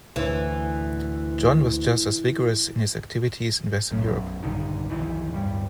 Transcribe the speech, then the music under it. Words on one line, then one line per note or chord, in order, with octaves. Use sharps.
John was just as vigorous in his activities in Western Europe.
D2 E3
B1 F#2
A#1 G2 D3 D#3
B1 F2 D#3 E3
D1 G2 G3